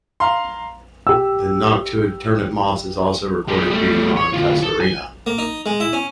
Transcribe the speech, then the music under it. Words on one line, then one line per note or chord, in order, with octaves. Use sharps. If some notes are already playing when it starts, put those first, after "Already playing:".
The noctuid turnip moth is also recorded feeding on "Casuarina".
F5 A#5 C6
G4 E6
G#3 G4
G3 A3
C#5
D2 F4
A4
G#5
A#3
D#4
G#3
E4
C#4